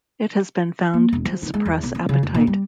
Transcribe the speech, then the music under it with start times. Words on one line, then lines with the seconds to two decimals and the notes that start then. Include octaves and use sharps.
It has been found to suppress appetite.
0.93 A#3
1.13 E1
1.25 F3
1.42 D#4
1.54 G#3
1.65 E2
1.83 B1
1.95 C4
2.09 C#3
2.23 F1
2.34 A#2
2.47 G3